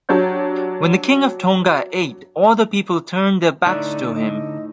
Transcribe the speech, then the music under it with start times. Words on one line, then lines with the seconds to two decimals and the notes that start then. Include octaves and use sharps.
When the king of Tonga ate, all the people turned their backs to him.
0.09 F#3 D4 G4 C#5 G6
3.66 A2 D3 D#4 D5 E5 A#5 F#6
4.15 D#5